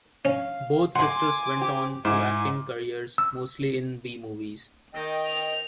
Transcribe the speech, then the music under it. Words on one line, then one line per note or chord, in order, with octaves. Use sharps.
Both sisters went on to acting careers, mostly in B-movies.
C#4 F5
F#5 G#5 C6 D6
C4 G4
G#2 E4 G#5 D6
E6
D#3 D#5 G5
F7